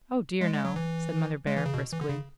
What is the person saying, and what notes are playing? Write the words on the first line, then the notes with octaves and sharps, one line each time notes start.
"Oh dear, no," said Mother Bhaer, briskly.
G#3
G#3
F#3
E3
G#3
E3
C#3
B2
E3
D3
C#3